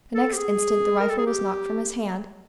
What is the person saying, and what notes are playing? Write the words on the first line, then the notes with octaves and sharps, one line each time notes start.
The next instant, the rifle was knocked from his hand.
A4
G4
G#4
A#4
A4
G#4
G4